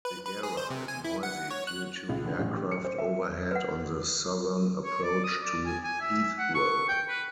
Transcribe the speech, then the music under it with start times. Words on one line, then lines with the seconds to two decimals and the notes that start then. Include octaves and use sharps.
The area is noisy due to aircraft overhead on the southern approach to Heathrow.
0.05 B4
0.25 B4
0.43 G#4
0.57 C5
0.70 C3
0.88 G#5
1.04 E4
1.23 F#5
1.51 C#5
1.67 F#6
2.09 C#2
2.25 D3
2.39 A1
2.56 G4
2.71 C#7
2.85 C5
2.98 E5
3.51 B4 F#5
4.85 C#5
5.03 D5
5.24 D#6
5.44 D5
5.66 G#5
5.84 G#5
6.01 E5
6.38 F#5
6.55 C#6
6.88 G5
7.09 B4